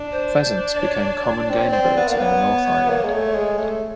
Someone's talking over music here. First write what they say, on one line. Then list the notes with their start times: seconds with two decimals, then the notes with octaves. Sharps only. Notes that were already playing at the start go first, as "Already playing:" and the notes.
Pheasants became common game birds in the North Island.
Already playing: D4
0.11 C5
0.73 D5
0.80 C#5
1.50 C4 D5
1.60 C#5
1.70 C4 D5
1.97 B3
2.08 A#3
2.16 D5
2.19 B3 C#5
2.89 A#3
3.05 G#3
3.12 A3
3.35 G#3
3.58 A3